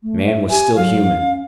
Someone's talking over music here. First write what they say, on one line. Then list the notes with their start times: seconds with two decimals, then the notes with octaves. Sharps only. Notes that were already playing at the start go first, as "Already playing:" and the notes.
Man was still human.
0.03 A3
0.26 E5
0.50 G4 G#5
0.76 F#3 F5
1.19 C#4